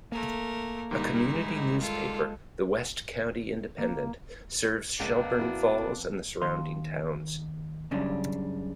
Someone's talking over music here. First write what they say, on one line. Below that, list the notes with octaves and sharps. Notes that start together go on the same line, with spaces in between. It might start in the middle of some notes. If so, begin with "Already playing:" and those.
A community newspaper, the "West County Independent," serves Shelburne Falls and the surrounding towns.
A3 A#3 A#4
G#2 D#3 G3 D#4 E4
G#3
F4 A4
A#3
C#2 A#3 B3 D4
F2 E4 F#4
D#2 F5 C6
F#2 C#3 G3 C#4 D4